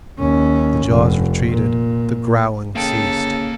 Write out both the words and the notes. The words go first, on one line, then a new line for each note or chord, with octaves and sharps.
The jaws retreated, the growling ceased.
D#2 C#4
F1
A#2
C#3 A#3 A4 G5